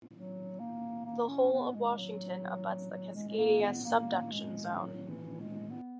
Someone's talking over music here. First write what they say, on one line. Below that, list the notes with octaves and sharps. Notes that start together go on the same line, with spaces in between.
The whole of Washington abuts the Cascadia Subduction Zone.
F#3
A#3
A#3
C#4
B3
G#3
F#3
F#3
G#3
G#3
A#3
B3
A#3
G#3
F#3
E3
G#3
B3